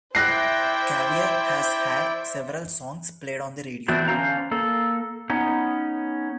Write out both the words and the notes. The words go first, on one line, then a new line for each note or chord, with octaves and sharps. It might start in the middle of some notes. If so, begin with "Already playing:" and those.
Caviar has had several songs played on the radio.
E4 C5 D5 E5 G5 F#6 A#6 C7
E3 A3 B3 C4 D4 F#4
D3 C#4 A4 C5 F5 A#5
A#3 A4
B3 C#4 D#4